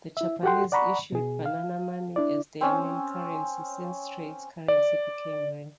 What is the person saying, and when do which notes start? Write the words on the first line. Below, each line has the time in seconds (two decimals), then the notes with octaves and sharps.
The Japanese issued banana money as their main currency since Straits currency became rare.
0.17 E4 E5
0.43 F#4 G4 A4 F#5 G5 C6
0.72 D5 F#5 A#5 B5 C#6
1.12 B2 G#4
1.46 F5
2.16 D4 E4 D5
2.61 C4 C#4 G#5
4.68 D5